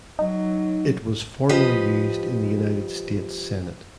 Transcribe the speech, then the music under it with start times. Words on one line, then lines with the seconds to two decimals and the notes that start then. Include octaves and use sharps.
It was formerly used in the United States Senate.
0.19 F#3 D#4
1.49 F3 G4 B4 D#5